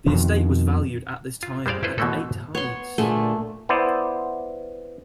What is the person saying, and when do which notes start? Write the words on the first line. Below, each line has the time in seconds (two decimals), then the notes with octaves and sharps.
The estate was valued at this time at eight hides.
0.06 F2 B2 D#3
1.43 F4
1.66 G3 G#3 C5 D5 F5
1.83 E4 F4 A4 B4 C5
1.98 B2 E3 F3 A3 A#3 A4
2.55 B3 C#5 C6
2.98 A#2 D3 A3 G#4
3.69 B3 E4 C5 D5